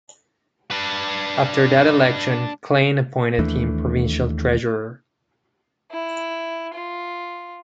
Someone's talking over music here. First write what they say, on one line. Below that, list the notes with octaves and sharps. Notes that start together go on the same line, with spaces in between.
After that election Klein appointed him Provincial Treasurer.
D4 B4
D#2 E3 A3 D4
E4
F4